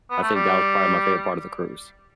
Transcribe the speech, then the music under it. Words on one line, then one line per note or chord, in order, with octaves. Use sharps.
I think that was probably my favorite part of the cruise.
B3
A3
G3